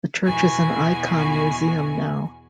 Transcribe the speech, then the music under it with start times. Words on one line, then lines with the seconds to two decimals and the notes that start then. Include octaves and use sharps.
The church is an icon museum now.
0.24 E2 B2 F#4 G#5